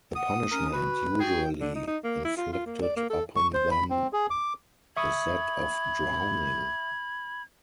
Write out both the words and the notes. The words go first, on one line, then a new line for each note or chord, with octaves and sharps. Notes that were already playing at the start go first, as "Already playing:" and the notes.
The punishment usually inflicted upon them is that of drowning.
F#5 D#6
C#4 A#4
F#4 B4
F#4 G#4 G5
D3
D#4
D#4
A#3
E4
F4
F4
A#3
D5
A#3
A4
C#6
C5
B5
C4
G#4
D6
E5 B5 C#6 D#6 G#6